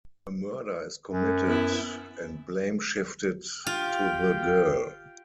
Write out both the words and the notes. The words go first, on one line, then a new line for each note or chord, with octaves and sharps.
A murder is committed and blame shifted to the girl.
F#2
B3 E4
F4 G4 F5 G5